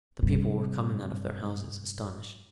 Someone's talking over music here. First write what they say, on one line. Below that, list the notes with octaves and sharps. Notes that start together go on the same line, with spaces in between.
The people were coming out of their houses, astonished.
G2 C3